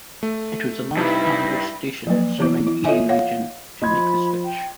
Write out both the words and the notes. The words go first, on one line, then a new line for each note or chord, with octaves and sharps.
It was the last analog station serving the Erie region to make the switch.
A3
G2 C3 D#4 E4 B4
F3 F#3 A#3 B4
E3 B3 E4
E4
F4 A4 C#5 D#5 E5 G#5
C#5 F5 F#5
F3 D#5 B5 C6 G#6
G5